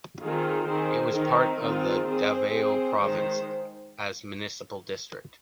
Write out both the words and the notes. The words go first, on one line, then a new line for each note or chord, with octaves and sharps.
It was part of the Davao province as Municipal District.
D#3 C4 F4 G#4
D#3 C4 G#4 C5
D#3 C4 D#4
D#3 C4 F4 G#4
C4 G#4 C5
C4 G#4 C5
D#3 G#3 D#4 C5